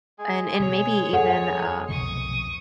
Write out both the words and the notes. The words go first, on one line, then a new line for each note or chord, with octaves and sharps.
And and maybe even, um,
G#3 G#4 G#5
B2 C#5
F2 F#3 A4 F#5
B1 F2 C3 C#6 D#6